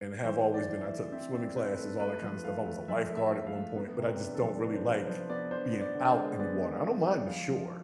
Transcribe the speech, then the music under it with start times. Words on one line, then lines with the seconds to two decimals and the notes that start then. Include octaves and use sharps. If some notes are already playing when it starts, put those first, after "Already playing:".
and have always been. I took swimming classes, all that kinda stuff. I was a lifeguard at one point, but I just don't really like being out in the water. I don't mind the shore,
0.24 E3 C5
0.47 A3
0.54 D5
0.68 E3
0.83 E5
0.91 E3
1.12 C4 E5
1.34 C4 D5
1.56 C4 B4
1.74 B4
1.78 A3 A4
2.00 A3 B4
2.22 F3
2.44 A3 F5
2.66 A3
2.88 F3 E5
3.10 A3
3.17 E5
3.31 A3
3.47 F5
3.54 A3
3.76 B3
3.97 C3
4.05 B4
4.20 D4
4.35 A4
4.42 F3
4.63 D4 B4
4.75 C5
4.85 F3 B4
5.07 F3 C5
5.30 B3 D5
5.51 D4 C5
5.73 B3
5.81 D5
5.95 D3
6.10 C5
6.18 G#3
6.39 B3 D5
6.61 G#3
6.74 F5
6.83 B3 E5
7.05 G#3
7.27 F3 F5
7.50 F3